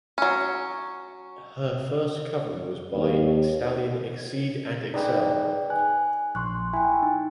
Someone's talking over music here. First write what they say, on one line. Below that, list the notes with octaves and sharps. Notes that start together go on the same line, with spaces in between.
Her first covering was by stallion Exceed And Excel.
F#3 C#4
D#2
D#4 G#4 B4 D5 G5
G#5 F#6
A#1 C6 C#6 F#6
E4 G5 G#5
D#4